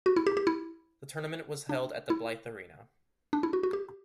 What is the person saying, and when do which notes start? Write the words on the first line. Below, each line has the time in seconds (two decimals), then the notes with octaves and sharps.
The tournament was held at the Blyth Arena.
0.06 F#4
0.16 E4
0.27 G4
0.37 G4
0.47 E4
1.69 D4
2.10 E4
3.33 D4
3.43 E4
3.53 F#4
3.63 F#4
3.73 G4